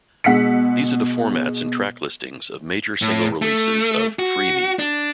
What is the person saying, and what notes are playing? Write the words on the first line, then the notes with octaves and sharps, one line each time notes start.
These are the formats and track listings of major single releases of "Free Me".
B2 G#3 F#5 E6 B6 C#7
A2
A3
F#4
D4